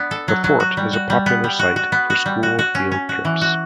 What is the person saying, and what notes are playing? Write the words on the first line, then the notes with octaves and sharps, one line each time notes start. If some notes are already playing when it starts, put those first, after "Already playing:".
The fort is a popular site for school field trips.
Already playing: B3 D4
A4
F#3
F#3
F#4
G3
F#4
G3
B3
G3
F#4
F#4
B3
F#4
G3
F#4
F#4
C#4
C#4
F#4
E3
F#4